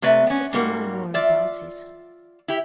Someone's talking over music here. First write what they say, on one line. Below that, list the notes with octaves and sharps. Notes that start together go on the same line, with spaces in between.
Let us say no more about it.
C3 A3 B4 D5 E5
B3 C#4
G#2 G3 A#3 F#4
F4 D5 E5
E4 G4